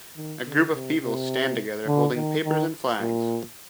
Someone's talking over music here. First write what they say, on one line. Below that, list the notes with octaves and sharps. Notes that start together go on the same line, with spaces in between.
A group of people stand together holding papers and flags.
D#3
D3
C3
C3
D3
D#3
D#3
A#2